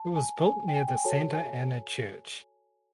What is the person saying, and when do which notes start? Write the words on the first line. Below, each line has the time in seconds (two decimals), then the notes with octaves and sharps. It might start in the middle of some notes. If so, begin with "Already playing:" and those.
It was built near the Santa Ana Church.
Already playing: A5
0.16 G#5
0.46 G#5
0.68 G5
0.75 G#5
0.88 G5
0.96 G#5
1.04 F#4 A4 C#5 A5
1.35 G#5